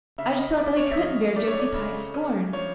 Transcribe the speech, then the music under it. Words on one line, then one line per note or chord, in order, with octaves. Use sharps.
I just felt that I couldn't bear Josie Pye's scorn.
C#3 E5
D#5
C#4 D5
C#5
E5
F3 D#5
A3 D5
C#5
D5
C#3
C#4
F3 C#5